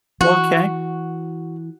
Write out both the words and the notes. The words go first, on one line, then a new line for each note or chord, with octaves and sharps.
Well 'kay.
E3 F#4